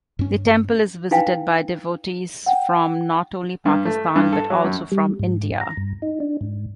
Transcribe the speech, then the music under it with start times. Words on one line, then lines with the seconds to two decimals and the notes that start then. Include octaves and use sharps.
The temple is visited by devotees from not only Pakistan but also from India.
0.19 G2 C#4
1.11 D#4 E4 B4 F5 G5 G#5
2.46 F#5 G5
3.65 G2
3.85 A3
4.16 G2
4.33 A4
4.50 F#3
4.64 F#2
4.92 G3
5.19 G#2
5.61 A#5
5.77 G2
6.02 D#4
6.20 D4
6.41 G#2